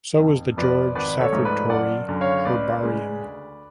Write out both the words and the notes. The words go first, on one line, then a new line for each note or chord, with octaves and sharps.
So is the George Safford Torrey Herbarium.
F1
F2 F3 B4 D5
G#1 B4 D5
A4 C#5
G#2 F3 A3
B4 D5
F#1 D5 F#5
F#2 D3
C#5 F5
C#2 B4 D5
C#3 G#3
D2